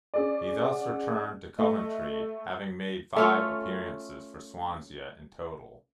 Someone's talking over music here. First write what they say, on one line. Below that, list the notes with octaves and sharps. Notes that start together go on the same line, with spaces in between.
He thus returned to Coventry having made five appearances for Swansea in total.
C#4 G#4 D5
F#5
A3 D#5
A3 C#4 F4